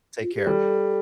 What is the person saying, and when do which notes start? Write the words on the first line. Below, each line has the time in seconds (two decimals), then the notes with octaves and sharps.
Take care.
0.22 F4
0.34 G4
0.47 G3 A4